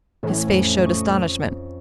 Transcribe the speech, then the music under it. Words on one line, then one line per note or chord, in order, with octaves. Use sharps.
His face showed astonishment.
A2 E3 C#4
F2
D#5 C#6